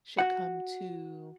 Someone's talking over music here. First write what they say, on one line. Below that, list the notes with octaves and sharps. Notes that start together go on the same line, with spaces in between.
should come to
F#4 F#5